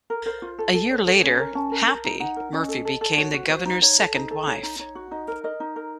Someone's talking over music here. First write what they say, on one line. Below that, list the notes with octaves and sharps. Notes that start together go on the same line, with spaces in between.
A year later, "Happy" Murphy became the governor's second wife.
A#4
A#4 C5
F4
A4
A4
A4 C#5
A4
C#4 C#5
A#4
C#4 A5
A#4
A#4
D#4
D#4 F#5
A#4
C#4 D#5
A4
A4
A4
F#4 C#5
F#4
F#4 C5
D#4
D#4 C#5
A4
D#4 C5
A4
D#4 C#5
D#4
D#4 C#5
F#4
D#4 D#5
A#4
A#4 D#5
D#4
A#4